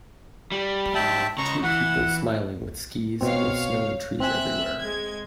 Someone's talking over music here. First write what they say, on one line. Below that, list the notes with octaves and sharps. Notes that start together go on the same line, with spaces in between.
Two people smiling with skis with snow and trees everywhere.
G3
G#2 G3 E5 G5 A5
C#2 C#3 A#5 C#6
E3 F#5
B2 C4 C#5 F5
C4 E5 G#5 F#6
G#3 G#6